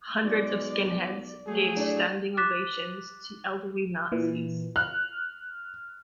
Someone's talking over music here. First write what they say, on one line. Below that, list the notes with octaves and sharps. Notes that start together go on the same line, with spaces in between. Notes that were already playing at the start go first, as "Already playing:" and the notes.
Hundreds of skinheads gave standing ovations to elderly Nazis.
B1 G#3 D5
F#3 A3 G#4
A2 D4
D6 F#6 A6 B6 E7
A#2 E3
F6 F#6